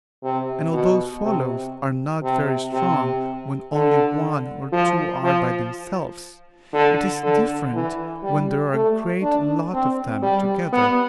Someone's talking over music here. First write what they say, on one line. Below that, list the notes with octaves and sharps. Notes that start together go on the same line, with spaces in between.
And although swallows are not very strong when only one or two are by themselves, it is different when there are a great lot of them together.
C3
B2
C3
C3
C3
D3
F3
F3
D3
D3
E3
G3
A3
D4
C4
G3
B3